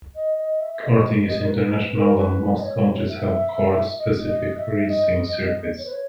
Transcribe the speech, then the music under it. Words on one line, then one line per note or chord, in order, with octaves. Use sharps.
Karting is international and most countries have kart specific racing circuits.
D#5
D#5
E5
E5
D#5
D#5
A#4
B4
B4
A#4
B4
D#5
C#5
E5
D#5
D#5
E5
E5
D#5
C#5
B4
C#5